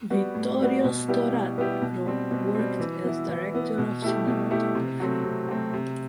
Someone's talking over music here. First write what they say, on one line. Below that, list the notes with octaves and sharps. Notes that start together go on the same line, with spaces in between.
Vittorio Storaro worked as director of cinematography.
G3 B3 F#4
A2
G3 B3 F#4
B2
G3 B3 E4 G4
B2
G3 B3 E4 G4
B2
G3 C4
B2
G3 C4
E3
B3 E4
E3
B3 E4
B2
A3 E4 G4
B2
A3 E4 G4
C3
F#3 A3 C4
C3
F#3 A3 C4
C3